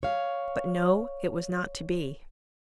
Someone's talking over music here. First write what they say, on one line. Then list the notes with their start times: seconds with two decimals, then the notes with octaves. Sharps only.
But no, it was not to be.
0.03 C#5 F5